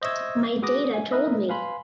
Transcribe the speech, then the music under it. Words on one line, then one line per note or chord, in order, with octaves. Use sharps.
My data told me.
C5 D#5 E5 C#6 E6 G#6
F#4 G#4 B4 D6 D#6 A#6
G#5
D#4 A#4 B4 D#5 E5
B4 F5 G#5 B5 C6